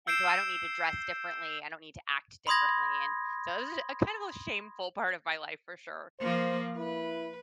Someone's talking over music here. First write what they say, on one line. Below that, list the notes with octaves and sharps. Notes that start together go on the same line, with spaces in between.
and, so, I don't need to dress differently, I don't need to act differently, and, so this is a kind of a shameful part of my life for sure.
E6 G6 C7 D7 E7
B5 C6 D#6 G#6 A#6
F3 A#3 C5
E4 B4